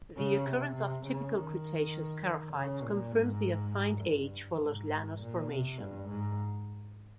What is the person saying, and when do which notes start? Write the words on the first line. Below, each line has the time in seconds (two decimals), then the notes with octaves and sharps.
The occurrence of typical Cretaceous charophytes confirms the assigned age for Los Llanos Formation.
0.17 C#3
0.46 C3
0.76 C3
1.06 C#3
1.35 D#3
2.54 C#3
2.83 A#2
3.12 G#2
4.02 G2
4.61 G#2
5.21 A#2
5.49 C3
5.79 G2
6.09 G#2